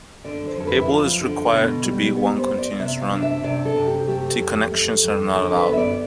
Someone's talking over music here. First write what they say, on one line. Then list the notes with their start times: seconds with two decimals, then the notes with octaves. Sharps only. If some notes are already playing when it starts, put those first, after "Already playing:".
The cable is required to be one continuous run; T-connections are not allowed.
0.24 D3 D5
0.47 C5
0.57 F2 A4
0.67 B4
0.82 E4
0.89 F3 F4
1.21 D3
1.52 B2
1.84 G3
2.16 B3
2.38 C5
2.49 B3
2.59 D5
2.80 C3 E5
3.01 F5
3.12 D4
3.22 E5
3.43 C3 D5
3.65 A4
3.76 C3
3.87 G4
4.08 A3 G4
4.40 F2
4.72 A3
5.03 F2
5.34 D3 A4
5.56 B4
5.67 B3
5.73 E5
5.77 D5